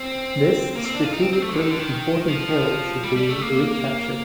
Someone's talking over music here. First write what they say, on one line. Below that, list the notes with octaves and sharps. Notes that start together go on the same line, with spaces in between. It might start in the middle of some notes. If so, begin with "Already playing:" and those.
This strategically important hill should be recaptured.
Already playing: C4
A#3
C4
D4
F4
D#4
C4
C4
A3
D3
D#3
D3
D#3
F3
G3
G3
A3
A#3